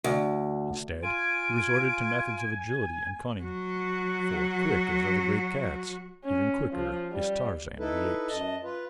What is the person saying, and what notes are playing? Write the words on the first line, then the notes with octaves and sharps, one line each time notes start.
Instead he resorted to methods of agility and cunning, for quick as are the great cats, even quicker is Tarzan of the Apes.
D2
F4 G#5 D7
F#3 F#4
C#4
F3
G3
D#4 E4 A4 B4
F#2 D#5 A5
F4 B4